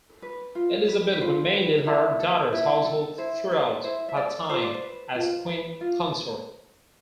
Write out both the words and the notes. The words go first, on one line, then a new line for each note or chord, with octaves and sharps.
Elizabeth remained in her daughter's household throughout her time as queen consort.
B4
F4
B4
B4
F4 C5
B4
E4
A4
E4
A4
E4 C5
A4 B4
E4 C5
E5
A4 D5
F4 C5
D5
C5
B4
F4
B4
F4